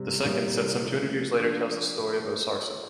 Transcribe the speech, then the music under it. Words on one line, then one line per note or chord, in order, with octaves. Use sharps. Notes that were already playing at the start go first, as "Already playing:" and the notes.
The second, set some two hundred years later, tells the story of Osarseph.
Already playing: C3 G3 C4
C3 G3 A#3 E4
F3 A3 E4
F3 A#3 D4